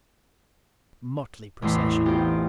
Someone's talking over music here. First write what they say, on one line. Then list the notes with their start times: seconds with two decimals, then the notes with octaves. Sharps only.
Motley procession!
1.62 A1 E2 A3 C6 B6
2.05 B3 C4 D#4 F4 G4